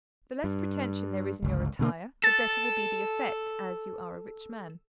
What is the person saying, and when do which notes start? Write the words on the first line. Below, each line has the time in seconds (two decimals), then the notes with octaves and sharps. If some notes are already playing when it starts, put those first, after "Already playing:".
The less pretension there is in your attire, the better will be the effect, as you are a rich man.
0.44 G2
1.42 G1 C#2
1.79 B2 D3 G#3 A#3
2.24 A4 A6